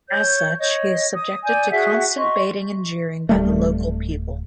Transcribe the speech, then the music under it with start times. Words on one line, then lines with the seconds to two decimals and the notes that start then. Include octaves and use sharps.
As such, he is subjected to constant baiting and jeering by the local people.
0.09 C#5 G6
0.59 C#5 D#5
1.14 D#6
1.45 D5 G#5 G6
1.71 F#4 G#4 E5 F#5
2.18 D#5 C6 C#6
3.29 D1 G3 A3